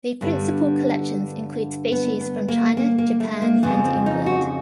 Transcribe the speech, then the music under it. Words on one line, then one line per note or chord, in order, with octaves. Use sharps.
The principal collections include species from China, Japan, and England.
G2 D3 G3 B3
B3
B3
A#3
A#3
A#3
A3
A#3
F2 C#3 F3 B3
C4
D#4
F#4